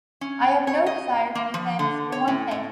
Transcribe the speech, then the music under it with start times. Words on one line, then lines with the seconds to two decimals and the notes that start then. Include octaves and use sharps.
I have no desire to be famous, for one thing.
0.21 C#4
0.67 C#5
0.86 D#5
1.35 A#3
1.54 F3
1.79 D3
2.12 C#5
2.28 A2
2.51 A2